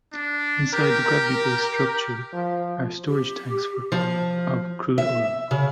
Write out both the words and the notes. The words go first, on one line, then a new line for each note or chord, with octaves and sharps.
Inside the gravity base structure are storage tanks for of crude oil.
D4
G4 A#4
F3
G4
F3
E5
C#3